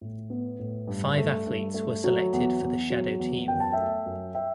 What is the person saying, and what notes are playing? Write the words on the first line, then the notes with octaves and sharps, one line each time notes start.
Five athletes were selected for the shadow team.
A2
B3
A2
G2
A3
G2
A3
F#3
E2
E2
F#3
E2
F#2 G5
A5
A3 E5 G5
F#2
E5 G5